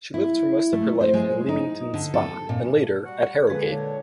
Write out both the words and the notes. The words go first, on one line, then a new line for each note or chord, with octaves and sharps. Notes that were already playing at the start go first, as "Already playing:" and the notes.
She lived for most of her life in Leamington Spa and later at Harrogate.
E4
A3
C5
G#3
D#4
D3
A4
A#2
G3 F#4 F#5
A#2 D3 F3 G#3 G#4 B4
A#2 D4 C#5